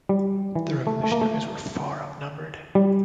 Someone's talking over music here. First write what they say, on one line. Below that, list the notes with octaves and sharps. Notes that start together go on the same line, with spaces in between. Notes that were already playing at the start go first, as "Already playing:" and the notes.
The revolutionaries were far outnumbered.
G3
E3
A3
A3
A#3
A3
G3